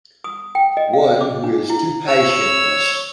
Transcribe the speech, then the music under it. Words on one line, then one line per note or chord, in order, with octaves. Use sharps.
One who is too passionless.
D#6
G5
D#5
F5
D6
D4
E4
C#5 E6